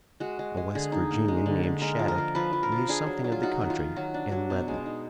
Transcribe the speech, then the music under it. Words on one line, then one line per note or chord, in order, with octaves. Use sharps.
A West Virginian named Shattuck knew something of the country, and led them.
G#3 F#4
G#3
G#3
D3 G#4
D#4
A#3
G#3
D3
D3
G#3 A#4
F3
A#4
F3
F3 B4
F3
A#4
F3
D4 G#4
F#3
F#3
F4
D#4 F#4
D#3
F4
D#3
F#3 F#4
D4
F#3
B2
G#3
D#4